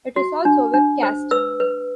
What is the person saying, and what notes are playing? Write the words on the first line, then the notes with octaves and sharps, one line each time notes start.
It is also webcast.
F#4
D4
D4
C5
B4 E6
B4